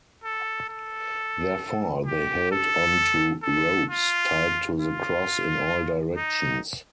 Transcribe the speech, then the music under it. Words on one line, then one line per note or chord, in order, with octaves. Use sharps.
Therefore, they held on to ropes tied to the Cross in all directions.
A4
A4
G4
A4
A4
F4
F4
D#4